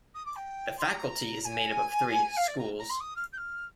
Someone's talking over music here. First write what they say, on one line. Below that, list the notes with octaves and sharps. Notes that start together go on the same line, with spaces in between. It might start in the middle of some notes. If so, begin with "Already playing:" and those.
The Faculty is made up of three 'schools'.
D#6
D6
G5
C6
A#5
A#5
G#5
F5
D5
A#5
A#5
C6
D#6
F6
G6
F6